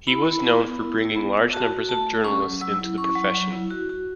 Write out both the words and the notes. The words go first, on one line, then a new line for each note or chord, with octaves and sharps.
He was known for bringing large numbers of journalists into the profession.
E4 B5
E4
B3
B3
E4
E4
B3
B3
F#4 A5
F#4
A3 A5
A3
C#4 C#6
F#3
F#3 E6
E4
C#4 C#6
F#3
F#3
E4
F#4
F#4